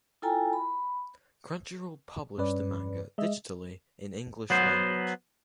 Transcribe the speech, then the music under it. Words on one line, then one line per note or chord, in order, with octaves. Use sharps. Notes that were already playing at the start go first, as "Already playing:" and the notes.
Crunchyroll published the manga digitally in English language.
E4 F4 A4 G5 G#5 A#5
B5
G2 C#4 B4 D5
G#3 D#5 E5
F#3 B3 C5